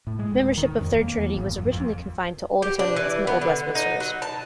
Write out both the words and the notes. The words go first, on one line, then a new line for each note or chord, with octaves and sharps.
Membership of Third Trinity was originally confined to Old Etonians and Old Westminsters.
A2
G#3
D#1
D#3
F2
A#3
E2
G#1
F2
F2
G4
D4
E3
B3
D3
D#4
F#3
A5